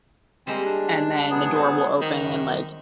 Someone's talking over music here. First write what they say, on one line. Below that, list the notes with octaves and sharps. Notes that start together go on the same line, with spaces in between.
And then the door will open, and, like,
G3 G#3 A#3 C4
D4
F#3 B3 G#4
C4
D#3
F#2